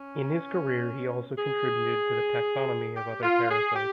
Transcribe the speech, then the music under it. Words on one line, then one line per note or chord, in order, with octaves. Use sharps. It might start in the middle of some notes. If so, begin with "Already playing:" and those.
In his career he also contributed to the taxonomy of other parasites.
Already playing: C#4
G#4
G4
F4
G#4
G4